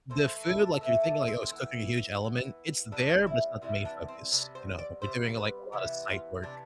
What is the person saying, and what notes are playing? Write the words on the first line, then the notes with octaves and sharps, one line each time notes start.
The food, like you're thinking like, "Oh, is cooking a huge element?" It's there, but it's not the main focus, you know, we're doing, like, a lot of site work,
A2 E3 A3 C5
C5
E4
D4
A2 E3 A3 E4
D4
C4
E3 B3
E3 B3
C3 E3 G3 B3 D4
E4
C3 E3 G3 B3 E4
D4
C4
C3 G3 B3 D4
C5
D5
C3 G3 B3 C5
B4
C3 E3 B3 G4
F4
C3 E3 B3 D4